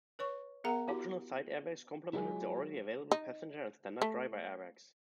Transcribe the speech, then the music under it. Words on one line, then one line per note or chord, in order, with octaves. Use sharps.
Optional side airbags complemented the already available passenger and standard driver airbags.
B4 C#5 C#6
B3 G#4 A#4 F#5 A#5
E4 F#4 G4
F#3 G#3 E4 F4 G#5
D#4
A3